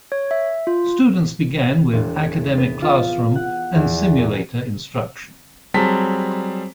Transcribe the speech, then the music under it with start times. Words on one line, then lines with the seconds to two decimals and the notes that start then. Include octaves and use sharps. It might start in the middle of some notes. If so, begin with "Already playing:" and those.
Students began with academic classroom and simulator instruction.
0.12 C#5
0.31 E5
0.67 F4
1.93 E1
2.17 G#6
2.58 B3
2.82 F4
3.36 F#5
3.75 E2
4.18 A#2
5.74 F#3 G3 C4 G#4 A5 B6